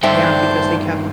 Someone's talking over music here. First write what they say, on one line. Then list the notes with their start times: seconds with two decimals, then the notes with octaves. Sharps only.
Yeah, because they kept
0.03 G2 D3 D#3 C5 E5 G5 A5 G6